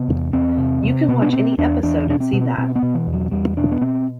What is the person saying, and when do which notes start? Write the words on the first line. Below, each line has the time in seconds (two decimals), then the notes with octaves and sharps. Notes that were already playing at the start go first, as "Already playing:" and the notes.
You can watch any episode and see that.
Already playing: C3 B3
0.08 E2
0.33 E2 C4
0.58 C3
0.84 C3
1.08 B2 B3
1.22 D4
1.33 B2 C4
1.58 E2 D4
1.83 E2 D4
2.07 B2 D4
2.20 C4
2.33 B2
2.58 B2 C4
2.75 B3
2.83 B2
2.94 E3
3.07 E2
3.13 F#3
3.31 E2 G3
3.57 B2 D4
3.72 B3
3.81 B2 C4